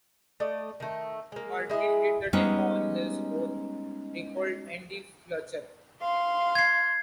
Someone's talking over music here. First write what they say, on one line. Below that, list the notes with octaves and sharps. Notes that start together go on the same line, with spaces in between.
"Martin did the demo on his own," recalled Andy Fletcher.
A3 D5 D#5
D#3 A3
G#3 A#3
G#3 E4 G#4 D#5
G3 G#3 B3 C#4 D#4
F5 C6
G#6 C7